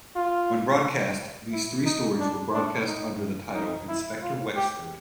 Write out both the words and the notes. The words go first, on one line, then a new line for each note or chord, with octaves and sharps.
When broadcast, these three stories were broadcast under the title "Inspector Wexford".
F4
E4
D#4
D4
D4
D#4
D#4
E4
F4
G4